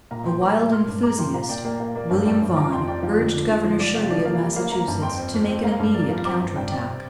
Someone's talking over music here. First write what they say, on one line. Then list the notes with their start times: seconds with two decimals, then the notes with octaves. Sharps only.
A wild enthusiast, William Vaughan, urged Governor Shirley of Massachusetts to make an immediate counter-attack.
0.11 A#2 F5 A#5
0.26 A#2 G5 C6
0.41 A#2 A#5 D6
0.57 A#3
0.72 A#3 C6 F6
0.88 G2
1.03 A#3 A#5 D6
1.18 F3 G5 C6
1.34 A#2 F5 A#5
1.49 A#2 D5 G5
1.65 A#3 D5 G5
1.80 A#3 F5
1.95 A#3 D5
2.11 G2 F5
2.26 G2 D5 G5
2.42 G2
2.56 F3 A#5 D6
2.72 F2 G5 C6
2.87 F2 D5 G5
3.03 F3 F5
3.18 D3
3.33 D3
3.49 D3
3.64 F3
3.79 F3 D5
3.95 C3 F5
4.10 F3 D5
4.25 A#3 F5
4.41 G3
4.56 A#3 F5
4.72 A#3 F5 A#5
4.88 G2
5.02 F2 G5 C6
5.18 C4
5.33 F2
5.49 C4
5.64 A#3 F5 A#5
5.79 G2
5.94 A#3 D5
6.10 F3 F5
6.25 C4 A#5 D6
6.41 G2
6.56 G2 D5 G5
6.71 C4 D5 G5
6.87 C3